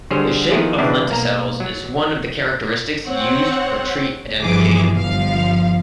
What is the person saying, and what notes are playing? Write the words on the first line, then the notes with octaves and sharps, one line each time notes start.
The shape of lenticels is one of the characteristics used for tree identification.
D3 F#3 G3 G#4 C5 C#5
D#3 F3 B3 E4 G#4 B4
C#3 E3 B3 C4 D4 E4
B1 A#3 A#5
F#3
C4 C#5 F#5
G1 E3 F3 G#4 D6
G1 F3 F5